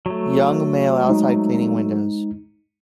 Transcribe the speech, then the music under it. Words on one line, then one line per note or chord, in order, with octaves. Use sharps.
Young male outside cleaning windows.
F#3 A3
G#3 D#4